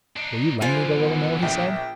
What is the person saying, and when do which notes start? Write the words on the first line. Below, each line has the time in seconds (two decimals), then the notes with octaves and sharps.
"Will you lend me the Little Mill?" he said.
0.17 D4 D#4
0.61 D3 E3 F4 C5 G#5
0.94 B3
1.42 A#1 G5